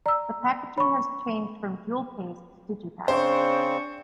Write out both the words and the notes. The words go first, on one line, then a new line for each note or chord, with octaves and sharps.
The packaging has changed from jewel case to Digipak.
D5 A#5 E6
C#5 B5 C#6
C#3 C4 D4 C5 C#6